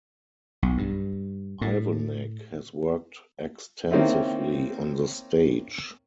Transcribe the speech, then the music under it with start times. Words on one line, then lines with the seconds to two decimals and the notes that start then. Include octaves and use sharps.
Ivanek has worked extensively on the stage.
0.63 B1
0.78 G2
1.61 A2
3.91 D#3 A#3 C4 C#4 D#4 E4